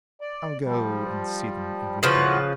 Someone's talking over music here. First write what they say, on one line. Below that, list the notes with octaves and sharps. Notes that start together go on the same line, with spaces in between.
I'll go and see them every day.
D5
F3 G3
C#3 E3 F3 F4 F#4 B4